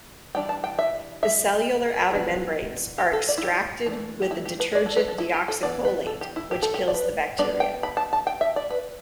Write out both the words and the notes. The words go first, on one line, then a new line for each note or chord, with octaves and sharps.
The cellular outer membranes are extracted with the detergent deoxycholate, which kills the bacteria.
E3 G3 D4 G5
A5
G5
E5
E5
E3 B3 D4
G4
A4
D5
E4
G4
E3 A3 D4
G4
E4
G4
B4
D5
A4
B4
A4
E4
G4
A4
E3 B3 D4 D5
B4
A4
G4
E4
G4
A4
G4
D5
B4
G3 B3 D4 D5
G5
B5
A5
A5
G5
E5
D5
B4